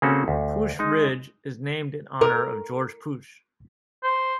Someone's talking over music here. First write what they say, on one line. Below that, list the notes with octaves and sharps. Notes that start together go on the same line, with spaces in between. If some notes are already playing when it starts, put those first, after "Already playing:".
Pusch Ridge is named in honor of George Pusch.
C#3 A#3 C4 C#4 F#4 A4
D2
G#3 D#4
A#4
C5